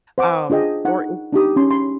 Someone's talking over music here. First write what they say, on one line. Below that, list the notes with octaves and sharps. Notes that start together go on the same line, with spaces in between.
um, or
C5 F#5 D6
D4 F4 G#4 D#5 G5
D#4 F#5
D4 D#4 G4 D#6
C#4 C6
B5 C6